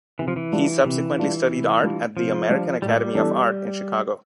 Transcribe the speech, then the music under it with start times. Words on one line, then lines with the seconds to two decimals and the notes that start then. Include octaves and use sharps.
He subsequently studied art at the American Academy of Art in Chicago.
0.19 C3 E3
0.28 F3
0.36 E3
0.52 G3 D4 F4
0.84 C3 E3
1.18 G3 D4 F4
1.51 C3
1.83 G3 D4 F4
2.17 C3 F3
2.49 G3 D4 F4
2.82 A2 G3
2.89 A3
2.96 G3
3.15 E3 B3 D4 A4